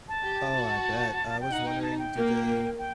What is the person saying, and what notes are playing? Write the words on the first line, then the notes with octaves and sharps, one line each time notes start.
Oh, I bet, I was wondering, do they,
A5
G4
F#4
G5
D#4 F#5
G5
A5
G5
A#3
G5